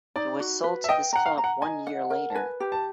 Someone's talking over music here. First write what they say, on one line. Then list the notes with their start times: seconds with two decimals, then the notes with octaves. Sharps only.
He was sold to this club one year later.
0.16 D#4 D5
0.40 F#4
0.64 B4
0.84 E5
0.89 D#5 G5
1.13 F#5 A#5
1.26 F5
1.38 A#5
1.44 F#5
1.62 D#5 G#5
1.87 F#5
2.10 A#4
2.30 A5
2.35 B4 G#5
2.60 G4
2.72 A5